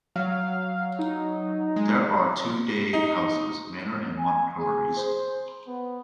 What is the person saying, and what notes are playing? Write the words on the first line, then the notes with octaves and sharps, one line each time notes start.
There are two day houses, Manor and Montgomery's.
F#3 F5
D#4
G#3
D#4
G#5
G#4
C5
B3